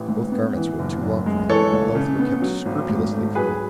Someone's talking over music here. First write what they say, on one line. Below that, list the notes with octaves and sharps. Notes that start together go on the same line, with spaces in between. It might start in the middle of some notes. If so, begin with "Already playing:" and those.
Both garments were too long for him, and both were kept scrupulously clean.
Already playing: A1 E3
G#2
B3
E3
F#1
F#2
G#3
E3 A4 C#5
C#2
C#3
B3
F#3
G#1
G#2
A3
F#3 G#4 B4